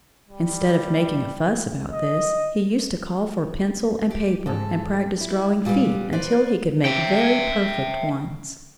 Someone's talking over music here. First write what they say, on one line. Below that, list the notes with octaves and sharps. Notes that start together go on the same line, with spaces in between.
Instead of making a fuss about this, he used to call for pencil and paper and practise drawing feet until he could make very perfect ones.
G3
D#5
G4
G#2 A4
E4
A#2 G3 B3 G4
B4 C5 D5
E5 G5